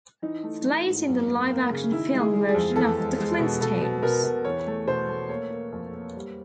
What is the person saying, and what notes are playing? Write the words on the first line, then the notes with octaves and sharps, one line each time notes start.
Slate in the live-action film version of "The Flintstones".
E3 D#4
A3
E3
G#2
F#2
A#3
A#3
C#3
D#3 E4
G#3
G#4
G#3
G#4
F2
E2 A4
G#3
G#3
B2
B2 A4
B2
B2 A#4
B2
E2 C#5
A3
B2 C5
A3
A#3 C#5
A#3
F2
A#3
G3